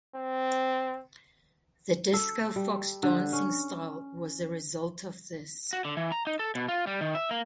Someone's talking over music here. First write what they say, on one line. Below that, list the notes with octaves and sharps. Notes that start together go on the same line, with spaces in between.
The discofox dancing style was a result of this.
C4
A4
G3
D3
C#4
F#4
D3
E3
A#5
D#4
A4
B2
F4
G3
D#3
E5
A#3